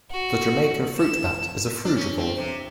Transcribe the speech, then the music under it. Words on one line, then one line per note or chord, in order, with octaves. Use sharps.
The Jamaican fruit bat is a frugivore.
F#4
E7
D4
C#4
C4
C3